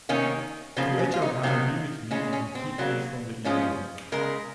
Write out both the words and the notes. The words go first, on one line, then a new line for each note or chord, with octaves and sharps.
Let your hand be with me, and keep me from the evil one.
C3 D#3 A#3 C#4
C#3 F3 A#3 C4
C#4
F4
D#4
C3 D#3 F#3 A#3 C4
C#3 G#3 C#4
C#4
C4
C#3 F#3 A#3
A#2 F3 G#3 C#4
C#3 G#3 A#4